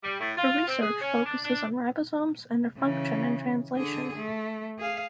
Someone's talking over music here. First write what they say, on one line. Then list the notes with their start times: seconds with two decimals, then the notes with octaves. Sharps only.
Her research focuses on ribosomes and their function in translation.
0.04 G3
0.20 A2
0.37 F4
0.68 C4
0.81 G#4
1.01 C#4
1.26 D4
1.44 D4
2.77 C#3 E3
3.76 D3 G#4
4.17 A3
4.79 G#4 F5